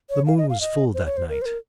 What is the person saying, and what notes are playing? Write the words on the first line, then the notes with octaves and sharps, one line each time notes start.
The moon was full that night.
C#5
F5
D#5
F5
D#5
C5
C#5
C5
A#4
C5
A#4